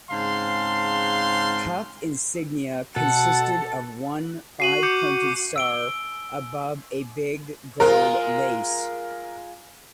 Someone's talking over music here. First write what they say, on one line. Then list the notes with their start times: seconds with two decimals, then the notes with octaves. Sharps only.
Cuff insignia consisted of one five-pointed star above a big gold lace.
0.11 G#2 C#3 C4 F5 A5 C6
2.96 B2 A4 F#5
4.60 F#4 C7 D#7 F#7
4.83 D6 G6 C#7
5.56 E6 D7 G7
7.80 G#3 F4 A#4